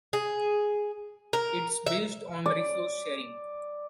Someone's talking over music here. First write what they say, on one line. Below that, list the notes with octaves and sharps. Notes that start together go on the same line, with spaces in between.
It’s based on resource sharing.
G#4
A#4
E5
D5